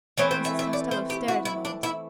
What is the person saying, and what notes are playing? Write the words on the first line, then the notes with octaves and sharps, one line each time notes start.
Mrs. Costello stared a moment.
E3 A3 C4 C#5
C5
E5
E5
D5
C5
G4
F#4
E4
D4
E4